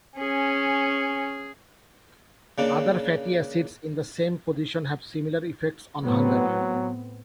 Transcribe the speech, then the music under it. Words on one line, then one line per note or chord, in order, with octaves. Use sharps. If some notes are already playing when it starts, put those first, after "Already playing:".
Other fatty acids in the same position have similar effects on hunger.
C#4 G#4
C#3 A#3 D4
A2 F#3 B3 C4